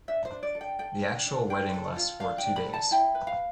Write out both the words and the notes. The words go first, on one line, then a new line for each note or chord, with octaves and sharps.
The actual wedding lasts for two days.
D4 E5
C5
D4
D5
A4
G5
A4 G5
D4
D4
D4 G5
A4
F4
D4 F5
G5
D4
B5
A4
A5
E4 G5
B4
F5